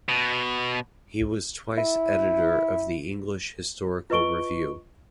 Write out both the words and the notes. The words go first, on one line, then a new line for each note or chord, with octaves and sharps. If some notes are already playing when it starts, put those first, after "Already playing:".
He was twice editor of the "English Historical Review".
B2
E4
F4 B4 D#5 C#6 D7 G7